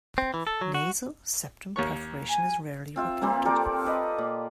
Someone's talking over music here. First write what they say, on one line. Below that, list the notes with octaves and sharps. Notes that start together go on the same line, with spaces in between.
Nasal septum perforation is rarely reported.
C4
E3
A4
F#3
F#4
D#2 C#5 C#6
G#5
C4 F4 E5
F3 A#3 C4 B4
G4 A4 A#4 D5
G4 B4 D#5
A#2